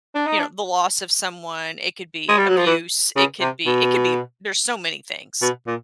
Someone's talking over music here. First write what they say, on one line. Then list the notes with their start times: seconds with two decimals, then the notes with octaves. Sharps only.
you know, the loss of someone, it could be abuse. It could be it could be there's so many things.
0.15 D4
0.27 D#4
0.39 D4
2.29 G#3
2.38 G3
2.48 F#3
2.57 F3
2.66 E3
3.16 C#3
3.41 C3
3.66 B2
5.42 B2
5.67 A#2